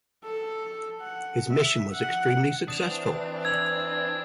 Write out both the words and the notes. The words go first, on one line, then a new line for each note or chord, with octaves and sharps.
His mission was extremely successful.
A4
F#5
E5
F#5
E3 C4 D4 D#6 E7 F7
E6 G#6 F7 F#7